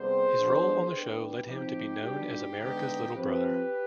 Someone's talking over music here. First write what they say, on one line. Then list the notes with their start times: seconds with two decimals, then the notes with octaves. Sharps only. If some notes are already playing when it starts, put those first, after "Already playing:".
His role on the show led him to be known as America's little brother.
Already playing: C3 G3 B3 G#4 C5
0.37 F3 B3 D4
0.92 D#3 B3 D4 G4 B4
1.48 F3 C4 D#4 G4
2.03 B2 G3 D4 D#4 G4
2.59 D3 G#3 B3 D#4 G4
3.15 F3 C4 G4 B4